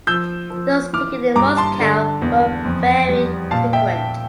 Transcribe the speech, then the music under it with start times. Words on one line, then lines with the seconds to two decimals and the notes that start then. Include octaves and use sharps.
Those taken in Moscow were very frequent.
0.07 F3 E6 G6
0.50 F3
0.93 E3 D6 F6
1.36 G2 A#5 D6
1.57 A5 C6
1.80 D3
2.22 E2
2.65 F2
3.09 G3
3.51 A#2 F5 A5
3.73 E5 G5